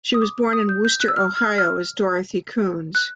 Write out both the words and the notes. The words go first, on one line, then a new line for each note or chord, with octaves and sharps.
She was born in Wooster, Ohio as Dorothy Kuhns.
D#6
D6
D#6
G6
G6
F#6
E6
F6
F6
F6
F#6